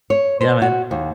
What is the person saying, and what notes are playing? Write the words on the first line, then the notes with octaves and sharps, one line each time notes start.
Yeah man.
C#5
C5
F#4
D#2